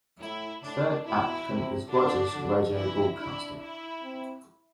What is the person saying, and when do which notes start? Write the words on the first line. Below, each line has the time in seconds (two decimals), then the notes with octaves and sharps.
The third applicant was Rogers Radio Broadcasting.
0.20 A2 E4
0.63 A2 D4
1.05 B2 E4
1.48 C3
1.89 D3 D4
2.33 D3
2.74 E3 E4
3.17 D4 E4
3.59 E4
4.02 C4